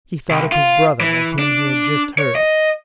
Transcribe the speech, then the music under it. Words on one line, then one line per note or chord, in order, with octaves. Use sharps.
He thought of his brother, of whom he had just heard.
C2
F4
E3
D4
C#5
D#5